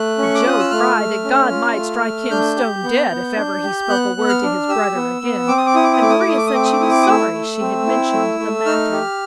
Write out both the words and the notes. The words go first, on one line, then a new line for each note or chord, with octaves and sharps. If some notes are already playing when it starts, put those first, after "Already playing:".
But Joe cried that God might strike him stone dead if ever he spoke a word to his brother again and Maria said she was sorry she had mentioned the matter.
Already playing: A3 F#6
C#4 C#6
D6
F4 D#6
E6
A3 F6
A3
C#4
F4
A3
A3
D4 G6
G4
B3
B3
D4
G4
B3 F#6
B3
F6
D4
G4 E6
B3
B3
C4 D6
D#6
D6
E4 D#6
D6
D#6
A3 D6
D#6
D6
A3 D#6
D6
D#6
C4 D6
D#6
D6
E4 D#6
D6
D#6
A3 E6
A3
C4
E4
A3
A3
D#4 F6
G4